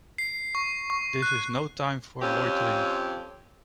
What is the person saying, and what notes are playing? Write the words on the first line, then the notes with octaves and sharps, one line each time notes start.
This is no time for loitering.
C7
C#6
C#6
F#6
F2 F3 C4 C#4 G4